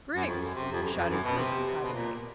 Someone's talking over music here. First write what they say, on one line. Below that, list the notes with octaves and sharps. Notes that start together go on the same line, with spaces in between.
"Griggs!" shouted Chris excitedly.
F#2
F2
F#2
C3
F2
F#2
F2
F#2
B2
C3
B2
A#2